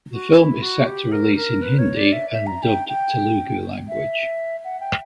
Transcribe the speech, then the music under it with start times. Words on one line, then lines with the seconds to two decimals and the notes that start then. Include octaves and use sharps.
The film is set to release in Hindi and dubbed Telugu language.
0.11 F#4
0.36 E4
0.62 F#4
0.87 G4
1.12 A#4
1.37 A#4
1.62 B4
1.79 C#5
1.96 D5
2.13 E5
2.30 E5
2.47 A#5
2.63 G5
2.88 G5
3.89 E5
4.64 F#5
4.80 G5